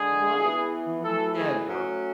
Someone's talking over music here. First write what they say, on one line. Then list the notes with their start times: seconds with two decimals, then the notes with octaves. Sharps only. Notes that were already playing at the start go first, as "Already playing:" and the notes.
Like, never.
Already playing: D3 G#3 D4 G#4
0.40 E3 B3 E4
1.03 E3 A3 E4 A4
1.35 G#4
1.66 F#3 A3 C#4